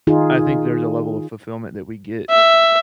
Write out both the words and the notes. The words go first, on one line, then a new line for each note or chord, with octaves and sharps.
I think there's a level of fulfillment that we get
D#3 D#4 F4 G#4
E5